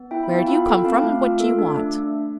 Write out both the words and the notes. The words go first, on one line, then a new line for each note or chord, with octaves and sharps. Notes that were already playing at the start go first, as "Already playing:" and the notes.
Where do you come from, and what do you want?'
Already playing: B3
E4 E5 G5
G5 B5
B3
F5 A5
F4 G5 B5
A4 G5 B5
C4 F5 A5
A3
F4
A4
D4
A3